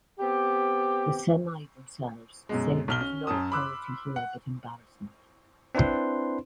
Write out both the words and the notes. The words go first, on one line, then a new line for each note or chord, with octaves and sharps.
The Semai themselves say There is no authority here but embarrassment.
B3 C4 G4
F#2 B2 G#3
B1 F6 G7
C#4
F#2 C#4 A5 D#6
B5 C6 D6 E6 F#6
F#5
C4 D4 E4 B4 C5 C6